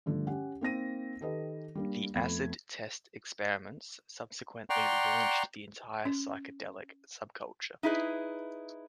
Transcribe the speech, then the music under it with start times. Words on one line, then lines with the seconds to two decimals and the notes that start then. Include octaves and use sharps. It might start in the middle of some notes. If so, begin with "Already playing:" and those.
The Acid Test experiments subsequently launched the entire psychedelic subculture.
0.06 G2 D3 F3 A3
0.27 C#4 G4 F#5
0.61 A#3 C4 D#4 A#6 D#7
1.21 D#3 G4 A4 B4 D#5
1.75 G3 A#3 D4
2.15 F2 A3 B3 C4 B5 G#6
4.70 D5 F#5 G5 A#5 C6 C#6
6.05 C#4
7.83 D#4 E4 G#4 B4